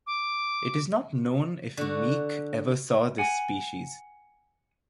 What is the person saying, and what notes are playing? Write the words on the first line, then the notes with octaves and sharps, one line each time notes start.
It is not known if Meek ever saw this species.
D6
D3 F#4
F#5 G#5